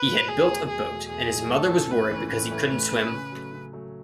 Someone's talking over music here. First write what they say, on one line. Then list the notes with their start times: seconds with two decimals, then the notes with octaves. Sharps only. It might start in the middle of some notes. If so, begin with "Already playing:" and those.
He had built a boat, and his mother was worried because he couldn't swim.
Already playing: B4
0.08 B2 F#3 A3
0.28 E2 G#4
0.48 B2 F#3 A3
0.68 E2 G#4
0.89 B2 F#3 A3
1.09 E2 G#4
1.29 B2 F#3 A3
1.50 A2 A4
1.70 E3 A3 C#4
1.90 A2 B4
2.11 E3 A3 C#4
2.31 A2 B4
2.51 E3 A3 C#4
2.72 A2
2.91 E3 A3 C#4
3.12 C#3
3.32 F#3 A3
3.53 C#3
3.73 F#3 A3